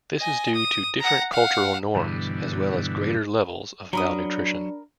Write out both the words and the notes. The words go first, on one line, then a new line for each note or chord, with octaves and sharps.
This is due to different cultural norms as well as greater levels of malnutrition.
D#5 G#5
D#6
F#5 A#5
F5 F#5
G2 B2 D3 E3
F#3 D4 A#4 B5 D#6